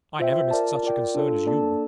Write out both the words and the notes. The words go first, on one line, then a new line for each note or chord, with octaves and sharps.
"I never missed such a concern as you."
F4 C5 E5 G5
F4 A#4 D5 A5
F4 A#4 D5 G5
D4 F4 A4
A#3 D4 A4 D5 A5